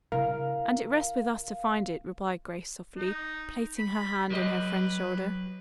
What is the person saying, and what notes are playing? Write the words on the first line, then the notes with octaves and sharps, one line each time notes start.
"And it rests with us to find it," replied Grace softly, placing her hand on her friend's shoulder.
C#3 E4 A#4 F5
D#4
B5
F#3 G4 B4 D#5